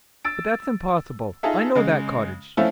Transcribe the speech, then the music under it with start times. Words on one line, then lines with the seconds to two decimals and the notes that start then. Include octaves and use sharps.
But that's impossible--I know that cottage.
0.25 E6 A6 D7
1.43 D#4 F4 G#4 A4 E5
1.75 C#3 G#3
2.57 F3 A3 C4 C#4 E4 F4